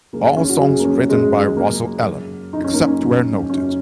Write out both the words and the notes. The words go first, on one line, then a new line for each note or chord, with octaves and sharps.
All songs written by Russell Allen, except where noted.
F#2 C#3 A#3
C#4
F#4
F#2 C#3 G#4
A#3
C#4
F#2 C#3 G#3
G#3
F#2 C#3 A#3
F#2 C#3
C#3 D#4
F#2
C#4
A#3
C#4
F#2 C#3
F#2 C#3 C#4